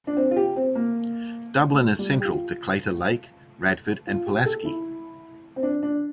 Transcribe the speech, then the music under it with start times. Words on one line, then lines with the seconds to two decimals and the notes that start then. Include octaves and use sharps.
Dublin is central to Claytor Lake, Radford, and Pulaski.
0.07 D4
0.17 C4
0.31 F4
0.36 G4
0.56 C4
0.75 A#3
1.73 A3
1.99 G3
2.20 G4
2.25 F4
4.07 F4
4.27 G4
4.46 A4
4.65 E4
5.56 C4
5.63 D4
5.83 D4